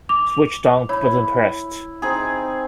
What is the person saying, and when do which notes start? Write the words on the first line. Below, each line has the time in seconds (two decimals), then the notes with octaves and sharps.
Switch down, button pressed.
0.09 D6 F7
0.89 E4 C#5 B5
2.02 C4 D#4 G#4